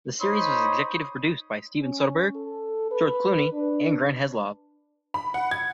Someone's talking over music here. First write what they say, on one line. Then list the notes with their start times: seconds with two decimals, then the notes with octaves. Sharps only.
The series was executive produced by Steven Soderbergh, George Clooney, and Grant Heslov.
0.21 D#4 C5 C#5 B5 C6 D#6
1.81 C#4
2.36 A4
2.91 B4
3.53 D4
5.14 B5
5.34 F#5
5.51 G#6